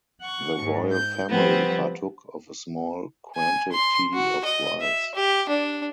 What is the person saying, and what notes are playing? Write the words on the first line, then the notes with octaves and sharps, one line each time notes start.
The royal family partook of a small quantity of rice.
F#5 C#6
G#2
G6
F3 G3 B3 C4
G#5
C6
F#4
D#5
E5
G4
D4